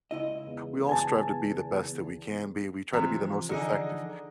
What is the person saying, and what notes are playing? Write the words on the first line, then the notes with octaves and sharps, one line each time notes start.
we all strive to be the best that we can be. We try to be the most effective,
C#2 E4 D#5
E2
G#5 A5
C3 E3 F3
D3 D#4 G#4